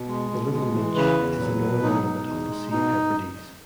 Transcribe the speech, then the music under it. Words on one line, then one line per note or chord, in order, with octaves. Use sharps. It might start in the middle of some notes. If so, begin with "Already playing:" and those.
The Little Minch is the northern limit of the Sea of the Hebrides.
Already playing: B2
G#3
B2
G#3
E3
C#3 B4
E2
F#3
B2
F#3 D#4
B2
E2
G#3
B2 D#4